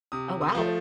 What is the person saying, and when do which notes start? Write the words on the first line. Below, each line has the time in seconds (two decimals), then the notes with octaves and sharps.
Oh, wow.
0.12 C3 D#6
0.41 D#6
0.55 F3 A3